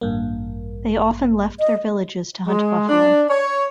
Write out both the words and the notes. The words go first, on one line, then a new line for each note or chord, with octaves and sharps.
They often left their villages to hunt buffalo.
A1 G2 A#3
D#5
G#3
D4
C#5